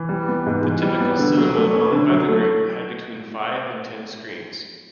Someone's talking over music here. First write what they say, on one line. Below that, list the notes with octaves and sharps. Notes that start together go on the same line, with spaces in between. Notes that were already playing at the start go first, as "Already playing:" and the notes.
The typical cinema owned by the group had between five and ten screens.
Already playing: E3
G3
B3
G#2
E3
G3
B3
D3
F#3
A3
C#4
D3
F#3
A3